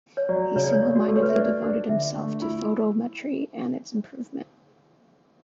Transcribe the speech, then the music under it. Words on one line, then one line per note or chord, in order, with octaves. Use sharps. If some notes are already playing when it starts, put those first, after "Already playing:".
He singlemindedly devoted himself to photometry and its improvement.
C#5
F#3 D5
C#3 C#5
D5
C#5
A3 D5
F#4
A3 A4
C#5
B4
E5
D4 D5
D4
D3 E5
A3
E4